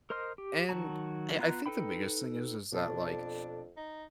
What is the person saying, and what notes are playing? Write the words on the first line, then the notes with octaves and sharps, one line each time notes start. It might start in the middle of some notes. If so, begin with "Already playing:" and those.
and I I think the biggest thing is is that, like,
A#4 C5 D#5 C6 F6
G4
D#3 F#3 F#4 A5 A#5
B3 F4 A#5 F#6
D#4 A4 B4 G5 B5
F2 B2 D4 A4 A5
D#4